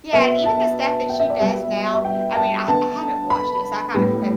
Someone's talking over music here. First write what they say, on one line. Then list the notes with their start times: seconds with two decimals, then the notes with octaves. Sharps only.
Yeah, and even the stuff that she does now, I mean, I I haven't watched it, so, I kind of and
0.13 B2 B3 E5
0.45 A5
1.09 G5
1.20 E5
1.30 D5
1.40 B2 G3 B3 E5
1.94 E5
2.05 G5
2.36 A5
2.68 D3 B3 A5
3.30 B5
3.94 A2 G3 B3